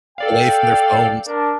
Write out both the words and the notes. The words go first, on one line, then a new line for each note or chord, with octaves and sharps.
away from their phones,
A4 D5 F5 G5
D4 A#4 A5